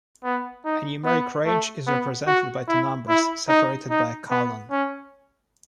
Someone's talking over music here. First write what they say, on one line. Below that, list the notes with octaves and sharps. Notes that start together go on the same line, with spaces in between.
A numeric range is represented by two numbers separated by a colon.
B3
D#4
B3
A3
B3
F#4
E4
E4
D#4
D#4
B3
C#4